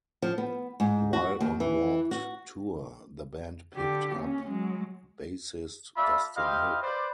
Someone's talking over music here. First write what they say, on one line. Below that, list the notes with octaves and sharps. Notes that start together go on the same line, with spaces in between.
While on Warped Tour, the band picked up bassist Dustin Hook.
F3
B3
G#2
F#4
D#2
E3
F#4
D3 G4
D#2 C#4
F#3 G#3
A3 F4 D5 E5 B5
E4 G4 C5 D#5 F5
B4 C5 D5